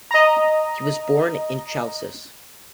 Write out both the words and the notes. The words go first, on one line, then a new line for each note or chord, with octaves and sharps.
He was born in Chalcis.
D#5 A#5